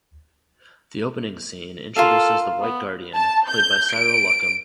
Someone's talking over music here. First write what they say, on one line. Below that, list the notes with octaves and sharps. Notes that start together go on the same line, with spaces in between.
The opening scene introduces the White Guardian, played by Cyril Luckham.
F4 A4 A#4 F5
B3
A5
G6
D7